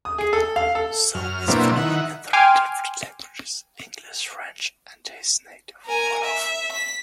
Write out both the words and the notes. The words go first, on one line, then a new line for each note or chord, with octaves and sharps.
Sow is fluent in three different languages, English, French, and his native Wolof.
D#6
G#4
A4
F5
A4
F#2 F6
B2 F#3 A#3 C4 D4 E4
D#3 E4 F#5
G5 G#5 C6 D6 F6
A#4 G#5
E5
B6